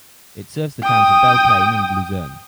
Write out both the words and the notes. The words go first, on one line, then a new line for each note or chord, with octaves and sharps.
It serves the towns of Belle Plaine and Luzerne.
G5 D#6